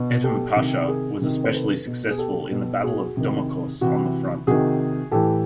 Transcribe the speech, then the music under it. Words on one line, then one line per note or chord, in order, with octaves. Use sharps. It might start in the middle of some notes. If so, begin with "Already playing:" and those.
Edhem Pasha was especially successful in the Battle of Domokos on the front.
Already playing: B2
G4 A4
C3 D#3
G#4 A#4
C3 D#3
C5
A4 B4
B2
G#4
G4 A4
B2
F#4 G#4
C3 D#3
C3 E3 E4 F#4
C3 D#3 F#4 G#4
A2 E3 G4 A4